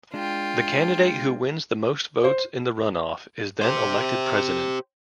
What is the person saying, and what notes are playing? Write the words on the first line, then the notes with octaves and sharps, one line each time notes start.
The candidate who wins the most votes in the runoff is then elected President.
G#3 D4 F4 G5
C5
G4 C5